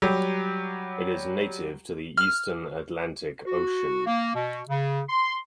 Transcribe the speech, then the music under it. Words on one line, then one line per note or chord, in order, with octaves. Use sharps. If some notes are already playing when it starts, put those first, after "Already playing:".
It is native to the eastern Atlantic Ocean.
F#3 G3 G4
F6
F#4
A#3
B2
C#3
C6